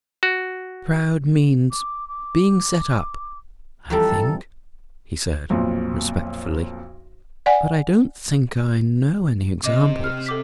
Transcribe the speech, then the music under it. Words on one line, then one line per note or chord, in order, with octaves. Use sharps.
"Proud means being set up, I think," he said, respectfully; "but I don't think I know any examples."
F#4
D6
D6
F2 E3 G3 A4 A#5
B1 F2 A#2
D5 F#5 G#5
C3 D#5 D6
F6
A4 D6 B6